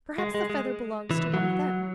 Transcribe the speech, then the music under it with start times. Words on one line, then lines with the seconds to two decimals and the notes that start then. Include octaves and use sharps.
Perhaps the feather belongs to one of them.'
0.18 G#3
0.35 G#3
0.50 G#3
1.11 E3
1.34 F#3